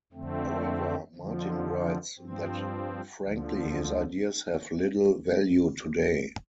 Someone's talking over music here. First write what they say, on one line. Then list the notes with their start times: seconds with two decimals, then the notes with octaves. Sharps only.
However, Martin writes that "frankly, his ideas have little value today".
0.12 F2 D3 A3 C4
1.15 F2 D3 F3
2.19 G2 F3 C4
3.21 D2 D3 F3